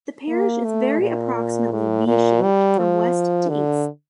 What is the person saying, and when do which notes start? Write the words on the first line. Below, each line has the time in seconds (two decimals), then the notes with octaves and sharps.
The parish is very approximately V shaped from West to East.
0.29 A#3
0.64 A3
1.00 A#2
1.72 A2
2.07 A#2
2.42 G3
2.78 F3
3.49 D3